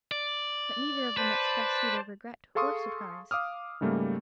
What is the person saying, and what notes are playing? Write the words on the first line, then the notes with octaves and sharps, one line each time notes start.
But neither of them expressed either regret or surprise.
D5
B4 C5 D5 A5
G#4 A4 F5 C6 C#6 D#6
F5 D6 D#6 F6
G#2 C#3 G3 A3 A#3